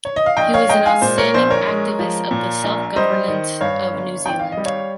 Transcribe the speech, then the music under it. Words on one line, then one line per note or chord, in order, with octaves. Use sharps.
He was an outstanding activist of the self-governance of New Zeeland.
C#5
D#5
F5
A#1 D#5 G5
C#5 F5
G#3 D#5 G5
F5 G#5
A#2 C5
A#4 C#5
A#1 C5
A#4 C#5
G#3
F3
A#2
A#1
G3 C5 D#5
D#3
G2 C#5 F5
G1
G#1 G5
F5
D#5
G3
C#5 F5